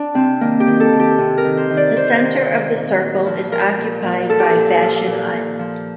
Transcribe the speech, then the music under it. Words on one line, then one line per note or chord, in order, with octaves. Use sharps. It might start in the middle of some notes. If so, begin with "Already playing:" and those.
The center of the circle is occupied by Fashion Island.
Already playing: D4
C3 C4
D#3 A#3
G4
D#3
A4
D#3
G4
C3
A#4
D#3
C5
D#3
D5
D#3 C5
C3
D#3
A#2
A#2
F3
F3 A#4
A#2
A#2
F3 A4
G4
A4
A#2
F3
A#2
A#2
F3